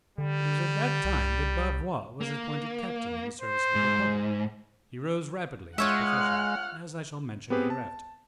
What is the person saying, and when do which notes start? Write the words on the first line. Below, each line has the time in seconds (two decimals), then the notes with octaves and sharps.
It was at that time that Bavois was appointed captain in the service of the Republic; he rose rapidly in his profession, as I shall mention hereafter.
0.18 D3 G3
1.04 C2
2.21 A#3
3.41 C5
3.75 G#2
5.78 G#3 F4 C#5 E5 F#5 F6 F#6
7.50 B3 C4 G4 G#4 B4 C5
7.70 A5